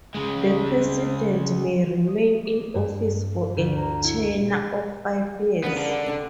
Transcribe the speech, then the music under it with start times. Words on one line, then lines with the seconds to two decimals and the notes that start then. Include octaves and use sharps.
The president may remain in office for a tenure of five years.
0.15 C#3 G#3
2.07 D#5
2.45 D6
2.75 G2
3.56 D2
3.76 A#5
4.04 E4
5.63 C#3 B3 D4 A#4
5.77 D3
6.06 C3 D4 A4